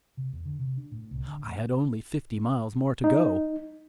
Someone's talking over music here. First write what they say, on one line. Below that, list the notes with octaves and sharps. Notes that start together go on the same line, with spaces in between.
I had only fifty miles more to go.
C3
E2
D3
C3
D4
A2
C2
D3
A2
D#4